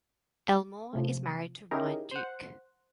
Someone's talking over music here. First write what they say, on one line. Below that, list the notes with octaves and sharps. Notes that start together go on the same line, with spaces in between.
Elmore is married to Ryan Duke.
A2 C3 F3
C#4 D#4 E4 G4 G#4 A#4
C5 F#5